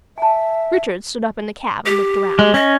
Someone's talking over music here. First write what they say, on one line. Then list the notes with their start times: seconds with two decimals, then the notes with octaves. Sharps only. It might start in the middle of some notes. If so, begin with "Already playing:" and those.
Richard stood up in the cab and looked around.
0.18 E5 G#5 A5
1.86 G4
2.39 G#3
2.54 C#4 D#5